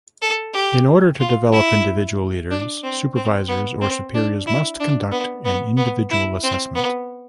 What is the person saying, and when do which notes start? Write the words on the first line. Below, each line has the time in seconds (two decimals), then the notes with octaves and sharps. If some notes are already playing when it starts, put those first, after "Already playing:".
In order to develop individual leaders, supervisors or superiors must conduct an individual assessment.
0.22 A4
0.54 G4
1.20 F4
1.52 E4
2.51 D4
2.83 C4
3.15 C4
3.48 B3
3.81 C4
4.14 D4
4.47 E4
4.80 D4
5.12 B3
5.45 B3
5.77 B3
6.11 E4
6.43 C4
6.75 B3